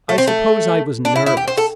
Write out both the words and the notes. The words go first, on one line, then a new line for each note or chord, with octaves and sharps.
I suppose I was nervous.
A3
C4
A3
D4
E4
E4
G4
C5
A4